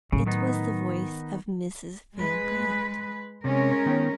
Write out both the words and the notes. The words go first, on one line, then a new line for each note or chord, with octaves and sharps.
It was the voice of Mrs. Van Brandt.
A2 C#3 F#3
D#3 B3 D#4
G#3 B4
C3 G#3 C#4 A#4
D#3 B3 G5